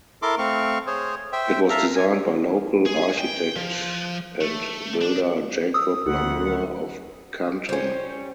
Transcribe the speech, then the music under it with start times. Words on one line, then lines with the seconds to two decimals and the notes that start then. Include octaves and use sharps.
It was designed by local architect and builder Jacob Lamour of Canton.
0.22 E4 A4 A#4 C6 D6
0.38 A3 C4 F5 C#6
0.87 G#4 C5 C#5
1.33 C5 E5 G5
1.70 A4 E5 F5 A#5
1.96 G#5
2.86 G#4
3.19 G5
3.56 F3
4.41 A3
5.01 D4
5.74 D#6 E6
6.07 D2 F#5
7.69 G3 C#4 C5